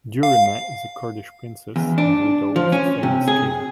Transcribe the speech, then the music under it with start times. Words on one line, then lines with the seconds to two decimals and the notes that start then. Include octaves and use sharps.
Durimeh is a Kurdish princess and widow of a famous king.
0.23 F5
1.76 E2
1.98 D4
2.56 F3
2.72 C#4
3.03 C3
3.28 G#4